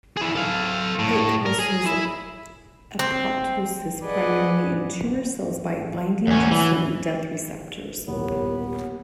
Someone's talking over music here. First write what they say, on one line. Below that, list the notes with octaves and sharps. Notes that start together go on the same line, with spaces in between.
It causes apoptosis primarily in tumor cells, by binding to certain death receptors.
E4 G#4
A4 F5
A2
A#4
G#4
E4
C4
G#4 B4 D5 D#5 F#5
E2 C#4
E3
D#1 E3 B3 G4 A#4 C#5